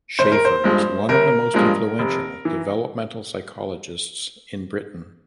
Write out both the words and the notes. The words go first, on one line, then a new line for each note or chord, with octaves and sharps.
Schaffer was one of the most influential developmental psychologists in Britain.
G1 C5
A#4
C5
G2 F3 G#3
G1 A#4
G2 F3 G#3
F1
E3